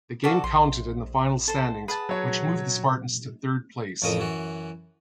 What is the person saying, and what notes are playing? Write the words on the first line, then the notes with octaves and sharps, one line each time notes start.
The game counted in the final standings, which moved the Spartans to third place.
F#4 A4 A#4 D5
A#1 C6
A4 C5
G#4 B4 F#5 A5
F#3 C#5
A1 F2 C#3 F3 A#4 D#6
F#2 E3 F#4